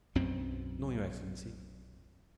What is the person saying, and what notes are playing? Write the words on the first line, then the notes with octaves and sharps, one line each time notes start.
"No, your excellency."
B1 F#2 B2 C4